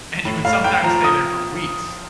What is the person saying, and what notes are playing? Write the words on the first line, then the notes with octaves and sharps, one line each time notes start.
And you would sometimes stay there for weeks,
A2
A2 F5
A2 G5
F3 A#5
D#6